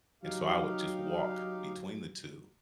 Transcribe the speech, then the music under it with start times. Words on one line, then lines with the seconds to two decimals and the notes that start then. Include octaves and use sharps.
and so I would just walk between the two,
0.23 F#3 D#4 G4 F5